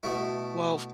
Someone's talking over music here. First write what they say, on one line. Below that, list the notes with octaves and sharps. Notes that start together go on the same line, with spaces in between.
Well, f
B2 A3 E4